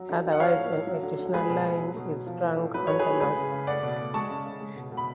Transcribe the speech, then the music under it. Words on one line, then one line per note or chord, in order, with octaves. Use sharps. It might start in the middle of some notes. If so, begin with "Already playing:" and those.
Otherwise an additional line is strung on the masts.
Already playing: F#3
D3
D3
F#5
F3 C#5 F5
A2
A2
F#3
D3
D3
G#3 G#4 B4
B2
B2
F#3
B2
B2
F3
A2
A2
F#3 B4
A2 C#5
G#4 B4
A2
G#3 G#4 B4
C#3
C#3
A3 D5 F#5
B2
A3
G#3 A5 C#6
C#3
C#3
G#3
B2
B2
B5